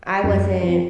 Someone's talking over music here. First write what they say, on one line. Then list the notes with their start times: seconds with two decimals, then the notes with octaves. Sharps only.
I wasn't
0.23 F#2
0.63 F3 C4